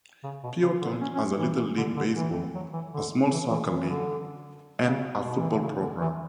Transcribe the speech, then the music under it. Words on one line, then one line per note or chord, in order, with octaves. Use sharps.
Peotone has a little league baseball, a small soccer league, and a football program.
C#3
B2
C#3
D3
C#4
C#4
E3
D3
D3
E3
F#3
E3
D3
E3
E3
E3
E3
D3
C#3
B2
E3
D3
C#3
D3
E3